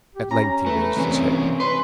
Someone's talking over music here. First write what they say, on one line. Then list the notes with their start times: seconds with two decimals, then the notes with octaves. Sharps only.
At length he raised his head.
0.15 G4
0.31 C#4 A#5
0.66 A3 B4
0.97 E3 G3 C4 C#4
1.60 B4 C6